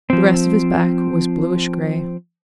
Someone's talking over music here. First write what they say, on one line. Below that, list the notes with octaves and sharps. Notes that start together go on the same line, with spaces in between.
The rest of his back was bluish-gray.
F3 C4